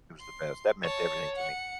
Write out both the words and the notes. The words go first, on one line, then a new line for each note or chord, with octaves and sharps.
it was the best. That meant everything to me.
C6
C#5 A5
F#5 C#7